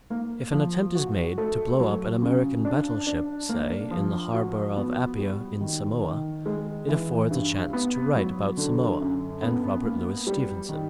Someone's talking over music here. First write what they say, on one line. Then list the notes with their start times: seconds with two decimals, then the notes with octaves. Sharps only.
If an attempt is made to blow up an American battleship, say, in the harbor of Appia, in Samoa, it affords a chance to write about Samoa and Robert Louis Stephenson.
0.10 A#3
0.52 F3
0.95 F#4
1.38 A3
1.80 F#3
2.22 C#3
2.65 D4
3.07 D4
3.49 A#3
3.91 F3
4.34 F#4
4.76 B3
5.19 G3
5.61 D#3
6.04 D#3
6.46 G#3
6.89 E3
7.30 G2
7.73 B3
8.15 F#3
8.57 D3
9.00 F#2
9.43 B3
9.85 A#3
10.27 G3
10.69 D#3